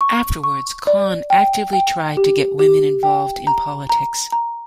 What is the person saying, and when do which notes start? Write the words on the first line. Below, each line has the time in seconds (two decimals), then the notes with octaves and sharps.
Afterwards, Kahn actively tried to get women involved in politics.
0.01 C#6
0.44 C#6
0.87 D5
1.30 G5
1.73 G5
2.17 G4
2.59 G4
3.03 G5
3.47 A#5
3.89 A#5
4.32 A#5